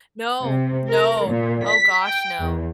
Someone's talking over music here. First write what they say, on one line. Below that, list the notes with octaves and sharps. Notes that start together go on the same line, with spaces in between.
No, no, oh gosh, no.
C3
A#4
A#2
B6
G5
E2